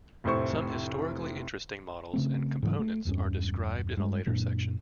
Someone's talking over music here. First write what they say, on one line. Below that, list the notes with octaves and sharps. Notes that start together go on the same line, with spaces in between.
Some historically interesting models and components are described in a later section.
F1 A2 E4 C5 C#6
C#3 A3 C4
G#2 C#3 E3 F#3
A3
E1 E2 G2 C#4
G2 G#3
F#2 A#2 D4